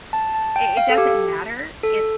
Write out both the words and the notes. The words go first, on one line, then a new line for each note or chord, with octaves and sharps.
i it doesn't matter if
A5
A5
G5
F5
A4
G4
A4